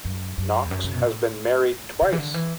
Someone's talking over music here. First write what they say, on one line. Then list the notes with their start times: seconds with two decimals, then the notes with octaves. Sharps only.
Knox has been married twice.
0.05 F#2
0.38 F#2
0.65 E2
0.71 F#2
0.84 C#3
0.93 B2
1.04 A2
2.02 C#3
2.12 E3
2.18 D3
2.34 E3